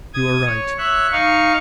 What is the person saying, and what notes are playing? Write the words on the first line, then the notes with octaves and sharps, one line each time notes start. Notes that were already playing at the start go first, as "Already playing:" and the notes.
You are right.
D#6 G#6
C#5
C#5 E5 F#6
D#4 F5 C#6